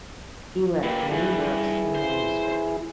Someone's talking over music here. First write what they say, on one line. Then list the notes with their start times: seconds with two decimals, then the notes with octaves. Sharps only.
He left many works in manuscript.
0.83 A#2 G4 B4
1.11 G2 E3 E4 G#4
1.95 C5